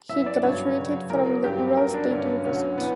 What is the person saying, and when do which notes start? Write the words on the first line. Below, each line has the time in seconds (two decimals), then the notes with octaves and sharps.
He graduated from the Ural State University.
0.09 F#2 E3 E5
0.22 E5
0.26 D5
0.43 G2 D3 F#3 C#5
0.76 F#2 C#3 F#3
1.10 E2 C#3 F#3 A#4
1.44 G2 F#3 G4
1.77 G2 F#3 A#4
1.94 D4
2.11 G2 D3 F#3 C#4
2.44 D2 D3 F#3 C#4
2.78 E3 B3